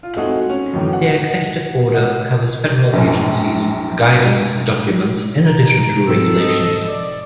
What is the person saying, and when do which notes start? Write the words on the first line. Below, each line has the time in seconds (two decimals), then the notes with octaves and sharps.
The Executive Order covers federal agencies' "guidance documents", in addition to regulations.
0.03 F4
0.17 G#3 A3 C4 D#4 F#4 G#4
0.49 C#4
0.73 F#2 A2 D#3 E3
0.93 F#5
1.94 D#5 F#5
2.93 A#1 F#2
5.46 A#5
6.07 G#2 C4 A4
6.40 D#5
6.88 D5